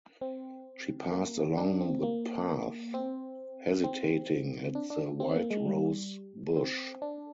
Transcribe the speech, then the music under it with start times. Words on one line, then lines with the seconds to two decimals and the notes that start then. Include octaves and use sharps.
She passed along the path, hesitating at the white rose-bush.
0.21 C4
1.12 A#3
1.58 D4
1.81 C4
2.03 A#3
2.94 C4
3.84 C4
4.75 D4
4.90 D4
5.20 C4
5.36 A#3
5.51 G#3
5.65 G3
6.57 C4
7.02 D4